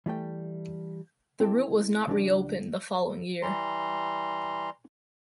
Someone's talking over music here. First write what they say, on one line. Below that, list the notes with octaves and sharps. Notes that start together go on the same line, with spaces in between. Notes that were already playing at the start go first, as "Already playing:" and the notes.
The route was not reopened the following year.
E3 G3 A3 G5
C4 E4 A4 C#5 G5 A5
C#2 F3 C#4 D4 G4 D5
E3 G3 A#5 C6